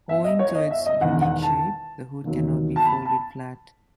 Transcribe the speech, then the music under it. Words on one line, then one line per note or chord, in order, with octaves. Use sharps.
Owing to its unique shape, the hood cannot be folded flat.
E5
D#5
C#5
D#5
E5
D#5
E1 E2 D#3 F#5
F#5
A5
E1 D#2 D#3 F#3
A5
B5
A5